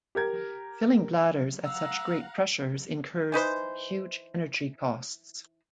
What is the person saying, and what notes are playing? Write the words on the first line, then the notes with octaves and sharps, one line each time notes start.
Filling bladders at such great pressures incurs huge energy costs.
G4 A#4 G#6
F5 F#5 A#5 E6
E3 D#4 B4 C5